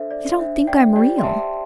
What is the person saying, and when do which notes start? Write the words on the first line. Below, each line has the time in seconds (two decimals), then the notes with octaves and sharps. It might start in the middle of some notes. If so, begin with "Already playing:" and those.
They don't think I'm real.
Already playing: D4 A4 C5 E5
0.11 D5
0.39 D4 C5 E5
0.67 D5 G5
0.96 G4 C5 D5 G5
1.18 C6
1.23 E5 A5